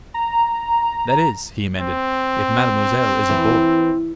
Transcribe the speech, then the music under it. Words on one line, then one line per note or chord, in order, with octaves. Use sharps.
"That is," he amended, "if mademoiselle isn't bored ..."
A#5
C4
E3